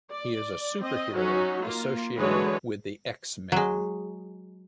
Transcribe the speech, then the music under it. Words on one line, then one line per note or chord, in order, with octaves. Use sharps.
He is a superhero associated with the X-Men.
D5
C4 D#5
F#3 C#4 D#4 F#4
A#3 F4
D3 E3 F#3 G#3 B4 C#5
F#3 G#3